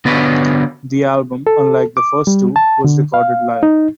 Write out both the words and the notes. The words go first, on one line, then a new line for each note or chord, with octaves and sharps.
The album, unlike the first two, was recorded live.
D3 B3 D4 F#4 B4 C#5
A4
D6
G3
A5
D3
F5
D#4